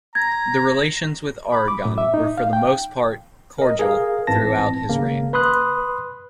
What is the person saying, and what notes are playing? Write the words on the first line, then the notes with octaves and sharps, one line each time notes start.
The relations with Aragon were for the most part cordial throughout his reign.
A#5 G#6
B5
D6
A2
E5
D#4
F5
G5
A#4 D#5
G#4 A#4 F5
A1 G#2 E3 C4 A5 A#6
G#1 C#3 A#3
B4 B5 C6 D#6 F#6